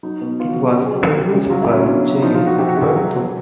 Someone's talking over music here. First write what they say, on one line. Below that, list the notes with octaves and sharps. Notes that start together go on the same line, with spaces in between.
It was produced by Jane Berthoud.
F#3 D#4
B2
B2 F4
F#4
F#3
G4
C#3 G4
G#4
F#3 G4
F#3
C#3
F#3 F4
E4
F#3
C#4
B2 D4
F#3
F3 D#4
F4
F3
F#4
C3 G4
F#4
C3 G4
G#4
F#3
F#3